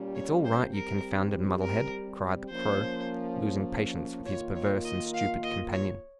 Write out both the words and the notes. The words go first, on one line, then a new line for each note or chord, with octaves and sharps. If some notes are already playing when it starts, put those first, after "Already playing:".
"It's all right, you confounded muddlehead!" cried the Crow, losing patience with his perverse and stupid companion.
Already playing: A#2 G3 C#4 G4
C#5
C5
G3 C4 G4 A#4
A#4
F3 A#3 C#4 C5
D#3 A#3 F4 C#5
C#5
D#5
F5
D#5
C#5